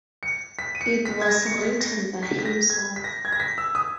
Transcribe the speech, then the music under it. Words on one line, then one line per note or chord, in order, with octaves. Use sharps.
It was written by himself.
C#7
B6
D#7
C#7
B6
G#6
A#6
C#7
B6
A#6
B6
B6
A#6
G#6
B6
A#6
G#6
A#6
B6
E6
D#6